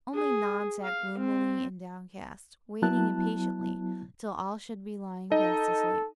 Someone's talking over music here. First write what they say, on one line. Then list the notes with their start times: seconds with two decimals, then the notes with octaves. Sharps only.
Only Nod sat gloomy and downcast, waiting impatiently till all should be lying fast asleep.
0.14 G#4
0.83 F5
1.18 C4
2.82 F#3 B3 E4 A5 F#6
5.32 D#4 A4 D#5